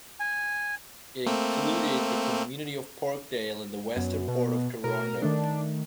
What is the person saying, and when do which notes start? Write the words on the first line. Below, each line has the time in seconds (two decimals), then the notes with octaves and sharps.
It included the community of Parkdale in the western part of Toronto.
0.20 G#5
1.26 A3 A#3 C4
3.96 F#2 B3
4.28 B2
4.84 B2 A#4
5.22 D#3 A3 D4